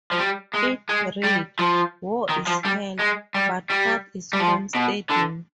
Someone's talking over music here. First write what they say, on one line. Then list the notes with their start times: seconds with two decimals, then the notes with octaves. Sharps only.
It read: War is Hell, but what is homesteading?
0.12 F3
0.19 G3
0.54 G#3
0.89 G#3
1.24 G3
1.59 F3
2.29 D#3
2.47 F3
2.65 G3
3.00 G#3
3.34 G3
3.70 G3
4.33 G3
4.40 F3
4.75 B2
5.10 D3